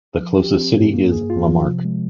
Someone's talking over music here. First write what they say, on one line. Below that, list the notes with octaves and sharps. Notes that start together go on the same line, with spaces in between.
The closest city is Lamarque.
F3
G4
C4
G2
A#3
G#4
F4
F3
C3
G#3